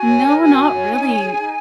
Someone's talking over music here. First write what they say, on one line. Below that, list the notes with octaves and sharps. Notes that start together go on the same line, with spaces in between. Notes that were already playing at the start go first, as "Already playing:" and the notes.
No, not really.
Already playing: F#4 G#5
C#5
A#4
F#4 G#5
F#4
C#5
D#4
C#5
G#4
D#4